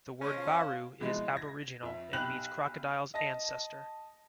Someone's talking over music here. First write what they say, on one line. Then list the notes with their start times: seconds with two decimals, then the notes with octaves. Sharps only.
The word Baru is Aboriginal and means "crocodile's ancestor".
0.21 G#3 A3 C#4 G#4
0.35 F3 F4
1.00 B2 E3 F3 G#3
1.36 G#6 A#6
1.83 F2 E5
2.13 B1 G4 B5 F#6 F7 F#7
3.14 D#5 A5 A#6